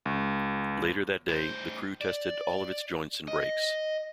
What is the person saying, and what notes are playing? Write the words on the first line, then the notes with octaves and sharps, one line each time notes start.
Later that day, the crew tested all of its joints and brakes.
C#2
A2 C5
D5
D#5